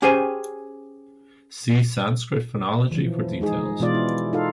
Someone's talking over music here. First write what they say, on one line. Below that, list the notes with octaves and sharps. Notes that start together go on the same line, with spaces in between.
See Sanskrit Phonology for details.
C#4 G4 G#4 C5 G5 G#5
E3 F3
G#3 D#4 G#4
B2 E3 G#3 F4 D5
E4
D#4 F4 A4 F5